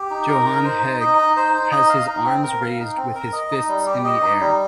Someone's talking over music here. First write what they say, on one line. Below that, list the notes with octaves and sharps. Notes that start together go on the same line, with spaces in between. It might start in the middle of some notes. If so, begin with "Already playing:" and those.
Johan Hegg has his arms raised with his fists in the air.
Already playing: G4
D#4
A#4
D#4
C5
D#4
D#5
D#4
C5
D#4
D#5
F5
D#4
C4
A#4
F5
D#4
C4
A#4
D#5
D#4
G3
G4
D#5
D#4
G3